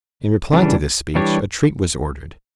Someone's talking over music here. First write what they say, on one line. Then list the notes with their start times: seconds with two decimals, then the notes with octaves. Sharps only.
In reply to this speech a treat was ordered.
0.53 C#3 E3 G3 D4
1.15 E3 G3 D4 G4 C#5